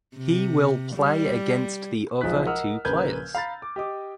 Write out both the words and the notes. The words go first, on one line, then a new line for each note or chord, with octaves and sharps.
He will play against the other two players.
C3
G3
B1 F3 G#3 D#4 F#6 B6
A#4 D#5 F#5 E6 F6
A#1 C#3 A#4 B4 G6 G#6
F5 A#5 B5 A6
D6
G4 D#5 D6